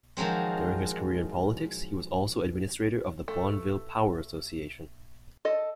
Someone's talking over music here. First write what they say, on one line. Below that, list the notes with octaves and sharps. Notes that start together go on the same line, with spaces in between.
During his career in politics, he was also administrator of the Bonneville Power Association.
D#3 F3 F#3 G#3 C4
A3
A4 D#5